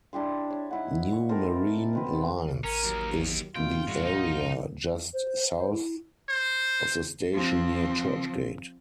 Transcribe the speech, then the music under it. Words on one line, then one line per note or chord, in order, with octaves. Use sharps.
"New Marine Lines" is the area just south of the station near Churchgate.
D4 E4 G4 C6
C#5
D#4 E4 F#5
C#6
C4 A4 A#4 C5
B2 C4 B4
D#2
A1 C#4 A#4
D#2 D#3 F#3 G4
B2 A3 C4 F4 G5
F#2 A#2 G3 A3 F#4
A#1 D#4 F#5
C5
C5
E4
C5
F3 C4